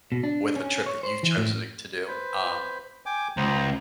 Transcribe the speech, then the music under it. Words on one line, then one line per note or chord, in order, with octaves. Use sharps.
with a trip that you've chosen, eh, to do. Um,
B2
D4
C#4
C#5
C5
E3
A2
B4 C5
G5 G#5 D6
C#2 C5 A#5